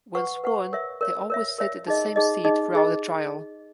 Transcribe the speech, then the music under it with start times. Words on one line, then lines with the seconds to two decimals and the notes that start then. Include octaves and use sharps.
Once sworn they always sit in the same seat throughout the trial.
0.15 B4 F#5 C#6
0.44 B4 F#5 C#6
0.73 A#4 C#5 E5
1.01 A#4 C#5 E5
1.30 A#4 C#5 E5
1.58 A#4 C#5 E5
1.87 D#4 G#4 D#5
2.16 D#4 G#4 D#5
2.44 D#4 G#4 D#5
2.73 D#4 G#4 D#5